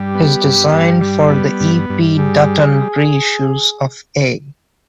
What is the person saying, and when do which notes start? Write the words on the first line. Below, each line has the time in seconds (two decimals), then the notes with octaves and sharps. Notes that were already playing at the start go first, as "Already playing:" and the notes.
His design for the E. P. Dutton re-issues of A.
Already playing: G2 G3 G4
0.15 B3
0.43 G2
0.73 G2
1.02 G3
1.31 B3
1.60 G2
1.90 G2
2.18 G3 G#4